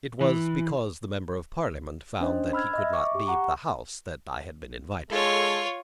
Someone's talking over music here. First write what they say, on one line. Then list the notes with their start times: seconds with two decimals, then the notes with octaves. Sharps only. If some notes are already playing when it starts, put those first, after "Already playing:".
It was because the Member of Parliament found that he could not leave the House that I had been invited.
0.21 E3
2.21 C#4 D4 C5 D#5
2.53 B5 E6 F6 G#6
2.73 D#5 E5
2.93 C#6 D6
3.15 G4
3.27 F#5 A#5 C#6
5.10 G#3 F4 A4 C#5